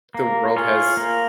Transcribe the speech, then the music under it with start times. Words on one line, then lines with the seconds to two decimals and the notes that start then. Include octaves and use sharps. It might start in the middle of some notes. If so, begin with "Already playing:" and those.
the world has,
0.15 A#3
0.57 F4 G#4 C#5
0.97 A#3